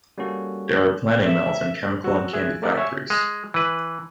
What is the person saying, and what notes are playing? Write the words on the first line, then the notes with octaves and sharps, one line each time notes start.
There were planing mills, and chemical and candy factories.
G3 A#3 C#4 F#4 A4
E5
F#3 F#4 E6
G#4 E5 F#6 G#6
A3 A#4 D5 E5 F#5
C#5 E5 G#5 C#6
G#3
E3 B4